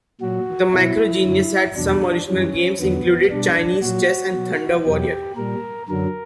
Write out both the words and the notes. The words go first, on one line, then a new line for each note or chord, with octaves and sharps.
The Micro Genius had some original games, including "Chinese Chess" and "Thunder Warrior".
A#2 F#3 F#4
B2 F#3 E4
F#2 D3 F#3
E2 B2 F#3 D4
F#2 E3 G3 C#4
E2 D3 F#3 B3
B2 G3 D4
A#2 F#3 F#4
B2 F#3
E2 B2 F#3 G4
A#2 G3 A#4
F#2 D3 F#3 A#4